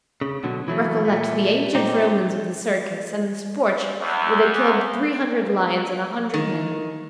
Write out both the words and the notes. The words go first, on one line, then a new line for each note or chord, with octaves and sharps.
Recollect the ancient Romans of the Circus, and the sports where they killed three hundred lions and a hundred men.
C#3
B2 D3 F#3
E3 F#3 A3
A#2 A3
A#2 C4 D#4 G4
E2
D#3